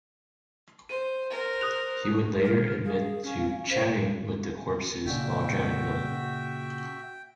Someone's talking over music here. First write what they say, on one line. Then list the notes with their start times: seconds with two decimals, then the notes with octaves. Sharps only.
He would later admit to "chatting" with the corpses while drowning them.
0.89 C5 D#7
1.30 A#4 C5
1.61 D#6 F#6 F7
2.44 A#4
2.86 G#4 F5
3.24 C#4
3.71 C5 F5
5.06 A#2 C#3 F#4 E5 G5